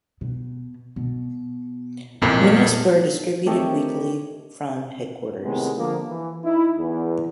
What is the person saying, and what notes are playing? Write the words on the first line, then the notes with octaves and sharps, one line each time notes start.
Menus were distributed weekly from headquarters.
B2
B2
B1 F2 A#2 A#3 E4
D#3 A3 C4 G4 A4 C#5 D#5
A2 C3 D#3 G#3 B3
D3 F3 A#3
E3
D#4 E4
E2